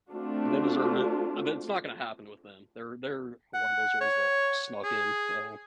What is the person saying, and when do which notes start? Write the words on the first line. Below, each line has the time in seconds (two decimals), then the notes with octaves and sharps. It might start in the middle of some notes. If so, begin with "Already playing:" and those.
They deserve it. That's not gonna happen with them. They're they're one of those ones that snuck in, um
0.10 A3 C4 D4 F4 F#4
3.54 F#5
4.01 C#5
4.84 G#4